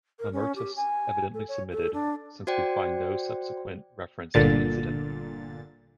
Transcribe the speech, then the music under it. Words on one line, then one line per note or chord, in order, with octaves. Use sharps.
Mamertus evidently submitted, since we find no subsequent reference to the incident.
A#4
C#4
G4
G#5
A4
C#5
A4
D4
F#4 C5 D5 G5
G1 A#2 D3 A6